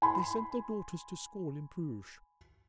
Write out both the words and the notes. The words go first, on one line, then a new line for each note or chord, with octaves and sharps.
They sent their daughters to school in Bruges.
G#5 B5 C6